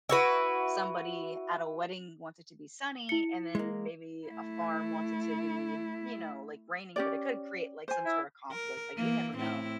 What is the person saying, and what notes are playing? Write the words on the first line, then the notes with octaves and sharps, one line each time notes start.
somebody at a wedding wants it to be sunny and then maybe a farm wants it to be, you know, like, raining, but it could create, like, some sort of conflict, like, you never know.
E4 F#4 B4
E4 C#7
G#3 A#3
A3 E4
C#4 G4 D5
C5 G#5
E4
A#4
E3 A#3
A2 C4 E4